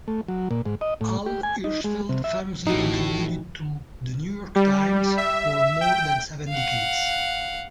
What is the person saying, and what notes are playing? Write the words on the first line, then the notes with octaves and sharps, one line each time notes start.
Al Hirschfeld famously contributed to "The New York Times" for more than seven decades.
A3
F#3
A#2
G#2
D#5
A2
G4
G#5
D#4
G#3
C3
E5
A1 A2 E3 D#4 F#4 G4
G3
E5
G5
F5 F#5